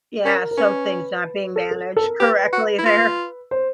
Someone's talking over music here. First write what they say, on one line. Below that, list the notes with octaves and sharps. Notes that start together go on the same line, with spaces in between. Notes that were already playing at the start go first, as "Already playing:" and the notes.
Yeah, something's not being managed correctly there.
C#4 A#4
A#4
C#4 B4
A4
A4
A4
A#4
G4 B4
F#4
E4
F4
C5